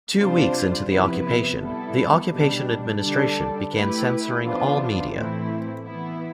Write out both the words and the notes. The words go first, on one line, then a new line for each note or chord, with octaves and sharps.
Two weeks into the occupation, the Occupation administration began censoring all media.
C3 G3 D4 F4 C5
C3 F3 B3 E4 B4
G3 B3 E4 A4
B2 G3 D4
D3 G3 D4 A4
A3 E4 G4 B4
E3 B3 D4 F4 C5
A2 E3 A3 C4 E4
E3 B3 E4